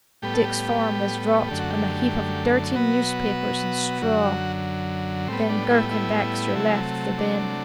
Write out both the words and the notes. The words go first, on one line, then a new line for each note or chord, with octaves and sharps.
Dick's form was dropped on a heap of dirty newspapers and straw. Then Girk and Baxter left the bin.
A2 G3 B3 G4
A4
G4
F#2 D3 A3 G4
F#4
G4
B2 F#3 B3 F#4
F#2 D3 F#3
A2 G3 B3 C4
D4
E4
E4
C3 F#3 A3
D4